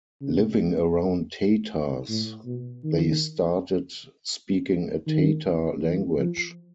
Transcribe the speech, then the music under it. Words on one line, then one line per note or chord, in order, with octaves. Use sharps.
Living around Tatars, they started speaking a Tatar language.
C#3
A2
B2
D#3
D#3
E3
F3